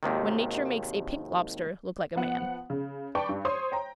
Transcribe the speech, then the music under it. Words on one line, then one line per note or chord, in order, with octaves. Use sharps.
When Nature makes a pink lobster look like a man.
G#1 D#2 C3 D#3
F3 B3 F#5
C#3
B4 D5 G5 A5 C#6 D6
G2
C5 C#5 C6 D#6
G5 A#5